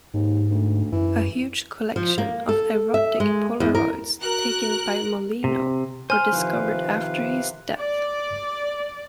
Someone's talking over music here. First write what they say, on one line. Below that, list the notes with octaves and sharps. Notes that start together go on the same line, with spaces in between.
A huge collection of erotic polaroids taken by Mollino were discovered after his death.
D#2 G#2
D2
F#2 E3
F3
A#3
A4
E5
G#3
E2
A#4
F#4 A#4 F#6
C3
C5 G#5 C6 F6
C3 D#3 F3 B4 F5
D5